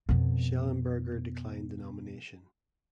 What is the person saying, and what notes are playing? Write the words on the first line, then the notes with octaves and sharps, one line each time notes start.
Shellenberger declined the nomination.
F2 B2